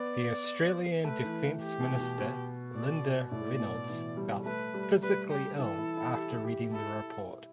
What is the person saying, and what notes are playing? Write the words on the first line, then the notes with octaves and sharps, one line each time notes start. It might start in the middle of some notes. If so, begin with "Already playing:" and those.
The Australian Defence Minister Linda Reynolds felt "physically ill" after reading the report.
Already playing: B3 D5
A3 B4
E3
E3
G4
B2
B2
B2
D5
A2 D5
B2
E3
G3
A3 B4
G3
G3 B4
G4
E3 A4
E4
E4
G4
G4
E4 A4